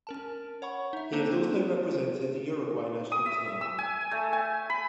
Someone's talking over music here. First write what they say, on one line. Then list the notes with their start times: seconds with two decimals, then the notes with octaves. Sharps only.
He has also represented the Uruguay national team.
0.07 C#4 A#4 A5
0.62 C#5 F#5 B5 C#6
0.93 D#4 E5
1.12 A#3 C4 D4 D#4 C5
3.12 D#6
3.26 E5
3.47 E5
3.61 E6
3.79 G#5
4.11 A3
4.33 G#5
4.70 B5